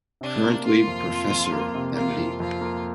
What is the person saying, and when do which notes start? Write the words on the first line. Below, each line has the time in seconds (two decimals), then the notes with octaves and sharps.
Currently Professor Md.
0.21 C3 D4
0.43 A#3
0.65 A#3 F4
0.87 F2
1.08 F2
1.30 F2
1.52 A#3
1.75 C3
1.96 A#3 F4
2.18 F2
2.40 F2 F4
2.61 A#3